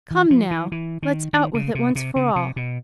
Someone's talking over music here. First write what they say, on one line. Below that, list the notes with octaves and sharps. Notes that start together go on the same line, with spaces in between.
Come now, let's out with it once for all.
E3
F3
E3
E3
D#3
D#3
C#3
C3
C3
C#3
C3
B2